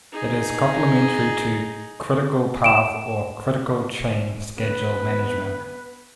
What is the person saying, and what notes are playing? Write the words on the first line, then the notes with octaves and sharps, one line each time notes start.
It is complementary to critical path or critical chain schedule management.
D#4 G#4
D7 E7
B3 B4